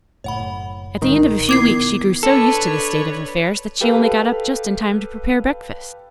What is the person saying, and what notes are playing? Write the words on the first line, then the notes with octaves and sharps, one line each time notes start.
At the end of a few weeks she grew so used to this state of affairs that she only got up just in time to prepare breakfast.
F#1 A2 C#5 F#5 B5
B1 A#2 D#3 G#3 A#5
B3 E4 D6 G#6 C7
D4 A4 B4 C#5
G4 A4 B4 F5